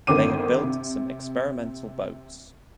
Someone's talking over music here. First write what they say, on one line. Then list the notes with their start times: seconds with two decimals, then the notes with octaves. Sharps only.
They had built some experimental boats.
0.07 G1 D3 D#3 C4 D6 D#7
0.63 C3